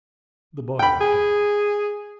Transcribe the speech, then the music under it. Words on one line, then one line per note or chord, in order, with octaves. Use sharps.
The boy looked at him.
G5 B5
G#4